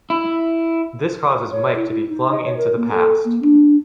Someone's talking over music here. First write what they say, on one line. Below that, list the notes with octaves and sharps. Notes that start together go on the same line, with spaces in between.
This causes Mike to be flung into the past.
E4
C#5
E4
E4
D#4
D#5
C#5
A#4
A#3
A4
A#3
D4